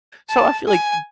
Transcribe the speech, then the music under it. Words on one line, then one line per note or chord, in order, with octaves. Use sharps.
so I feel like, you
A5
G#5